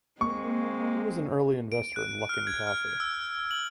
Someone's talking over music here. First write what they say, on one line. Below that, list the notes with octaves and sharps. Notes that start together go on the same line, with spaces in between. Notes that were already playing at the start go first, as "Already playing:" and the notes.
Lu was an early investor in Luckin Coffee.
G#3 A#3 C4 C#6
D7
F#6
F6
G#6
F6
E6
F#7